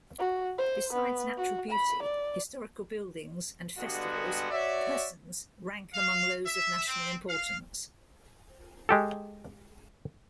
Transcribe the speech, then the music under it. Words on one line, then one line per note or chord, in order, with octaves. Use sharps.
Besides natural beauty, historical buildings and festivals persons rank among those of national importance.
F#4
C5
B3
F#4
B5
D5
G2 D3 G3 G#3 B3 F#4
F#4 C#5 D5 E5
F5
E5
C4
F5
G#3 G4 A4